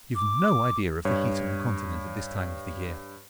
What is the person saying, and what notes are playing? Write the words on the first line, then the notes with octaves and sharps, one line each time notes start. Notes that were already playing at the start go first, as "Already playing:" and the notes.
You've no idea of the heat on the Continent at this time of the year.
D6
G2 C#5